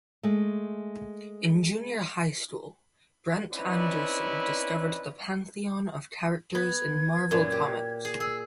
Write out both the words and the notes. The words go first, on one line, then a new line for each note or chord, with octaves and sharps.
In junior high school, Brent Anderson discovered the pantheon of characters in Marvel Comics.
G#3 A3
C4 C#4 D#4 E4 B4 D5
B3 G#6
F#2 A#2
G4
G#4
G#4 E6